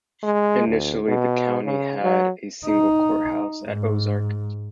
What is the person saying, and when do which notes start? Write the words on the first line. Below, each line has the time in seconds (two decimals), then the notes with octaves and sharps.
Initially, the county had a single courthouse at Ozark.
0.23 G#3
0.67 D2
1.08 B2
1.65 C#3
2.02 F#3
2.65 D#4
3.64 G#2